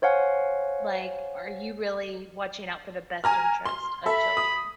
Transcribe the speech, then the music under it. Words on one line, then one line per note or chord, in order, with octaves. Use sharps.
Like, are you really watching out for the best interest of children?
C5 C#5 F5 F#5 G#5
G#5 A#5 F6
C6
A4 E5 B5
D#6